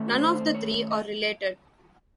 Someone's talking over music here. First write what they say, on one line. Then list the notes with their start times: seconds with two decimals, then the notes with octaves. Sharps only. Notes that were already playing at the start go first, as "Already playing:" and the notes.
None of the three are related.
Already playing: D#3 A3 C#4
0.08 F#4
0.19 C5
0.55 C#5
0.91 D#5